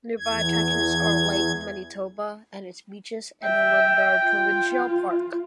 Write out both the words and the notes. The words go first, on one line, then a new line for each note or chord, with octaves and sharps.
Nearby attractions are Lake Manitoba and its beaches, and the Lundar Provincial Park.
E2 G#6
E5 G5
F4